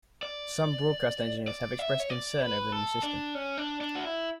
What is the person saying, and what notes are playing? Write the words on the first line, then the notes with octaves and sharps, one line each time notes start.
Some broadcast engineers have expressed concern over the new system.
D5
D5
E5
C#5
D5
B4
A4
D4
C#4
D4
D4
F#4
E4